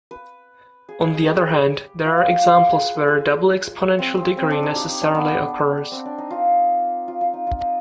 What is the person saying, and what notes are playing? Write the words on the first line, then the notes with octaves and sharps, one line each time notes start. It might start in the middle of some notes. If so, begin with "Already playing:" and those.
On the other hand, there are examples where a double exponential degree necessarily occurs.
B4
G#4
G#4
G#4
G4
G#4
G4
F4
G4
F4
F4
G4
G#4
B4
B4
G#4
C4
C4
C4
D4
D#4
G4
D4
B3
C4
D4
D#4
F4
F4
F4
D#4
F4
D#4